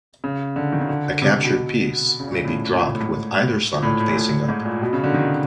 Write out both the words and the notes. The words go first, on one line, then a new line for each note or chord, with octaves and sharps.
A captured piece may be dropped with either side facing up.
C#3
D3
D#3
C#3
D3
C3
C3
B2
C#3
A#2
A2
A#2
A2
A2
G#2
A#2
A2
A2
A#2
A2
G#2
A#2
B2
C#3
D3
D#3